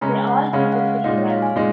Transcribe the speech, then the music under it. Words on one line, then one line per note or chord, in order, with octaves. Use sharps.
They all give the same value.
C#3 G#3 C#4 A#5
F#5
C#3 G#3 C#4 F5
F#5
F5
A#2 G#3 D#4 D#5
C#5
F5
G#5
A#2 G#3 D#4